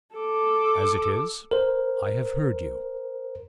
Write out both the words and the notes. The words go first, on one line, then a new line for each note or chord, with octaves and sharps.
As it is, I have heard you.
A4 D6
A#4 C5